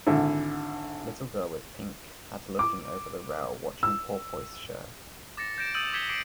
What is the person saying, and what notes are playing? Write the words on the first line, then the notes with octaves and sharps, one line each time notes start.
Little girl with pink had looking over the rail watching porpoise show.
G#1 D3 E4
D6
E6
D6 A6 A#6 C#7
G6 A#6 D7 E7
D#6 E6 G6 A6 D#7 F#7
D6 G6 G#6 B6 C#7 G7
D6 C7 D7